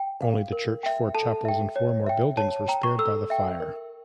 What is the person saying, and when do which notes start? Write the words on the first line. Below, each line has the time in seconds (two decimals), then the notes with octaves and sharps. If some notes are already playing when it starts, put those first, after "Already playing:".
Only the church, four chapels and four more buildings were spared by the fire.
Already playing: G5
0.22 F5
0.52 A#4
0.83 E5 G5
1.15 A4 A5
1.45 E5 G5
1.76 C#5
2.06 E5 G5
2.37 C#5 A5
2.68 G5 A#5
2.83 C#6
2.99 A4 E6
3.30 E5 G5
3.60 A#4